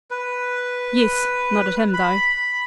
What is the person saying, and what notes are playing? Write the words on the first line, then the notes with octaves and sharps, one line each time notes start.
'Yes; not at him, though.
B4
B5